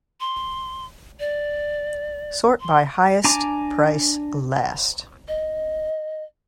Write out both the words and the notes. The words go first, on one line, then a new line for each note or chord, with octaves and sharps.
Sort by highest price last.
C6
D5
C6
D4 G#5 A#5 D6
D#5